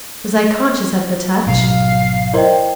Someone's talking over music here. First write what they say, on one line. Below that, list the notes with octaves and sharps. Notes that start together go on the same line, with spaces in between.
Was I conscious of her touch?
G#1 B2 F#3 F5
E4 A#4 C5 D5 D#5 G5